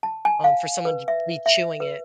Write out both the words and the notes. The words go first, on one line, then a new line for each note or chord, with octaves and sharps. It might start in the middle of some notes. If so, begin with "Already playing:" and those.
um, for someone to be chewing it.
A5
G#5
F5
B4
E5
E5
B4